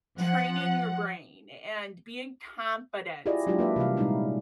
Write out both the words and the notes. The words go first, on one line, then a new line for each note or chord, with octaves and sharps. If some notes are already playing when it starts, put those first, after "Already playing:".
training your brain and being confident
F3 F#5
E4 F4 G4 G#4 D5 D#5
F#3 G#3 D4 E4 F4 G4
A#3 B4 E5
C3 E3 G3 F5
A#2 G3 G#3 C#4 D#4 E4